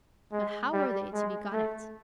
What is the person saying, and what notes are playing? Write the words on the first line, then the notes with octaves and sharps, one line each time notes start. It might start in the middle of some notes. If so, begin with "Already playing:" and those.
But how were they to be got at?
G#3
G3
G#3
A3